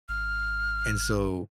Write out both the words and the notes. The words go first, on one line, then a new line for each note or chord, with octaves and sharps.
And so,
G#1 F6